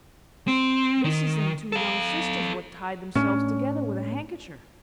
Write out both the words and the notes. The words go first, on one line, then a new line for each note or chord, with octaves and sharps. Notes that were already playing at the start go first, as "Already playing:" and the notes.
This is them two young sisters what tied themselves together with a handkecher.
C4
D#3
A4 F5
A2 A3 C#4 D4